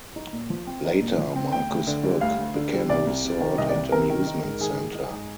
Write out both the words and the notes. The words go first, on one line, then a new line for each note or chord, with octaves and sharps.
Later, Marcus Hook became a resort and amusement center.
D#4
A#2
F3
C4
D#4
A#2
F3
C4
D2 G5
D2
D3
G3
D2 F5
D2
D3
G3
C2 D5
C2
C3
D#3
C2 D#5
D5
C2
C3 A#4
D#3
D#4
G#2
D#3 G#4
G#3
D#4
G#2